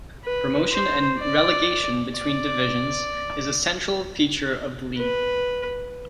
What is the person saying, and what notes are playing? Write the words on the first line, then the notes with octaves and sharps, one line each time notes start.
Promotion and relegation between divisions is a central feature of the league.
B4
C5
D5
D5
B4